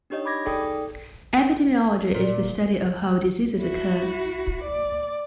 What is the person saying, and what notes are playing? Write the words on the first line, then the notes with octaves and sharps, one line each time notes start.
Epidemiology is the study of how diseases occur.
D4 D#4 G4 C#5 D#5
B5 D6 G#6 A#6
D#4 G#4 A4 D5 G5 D#6
A#2
E4 F#4
D5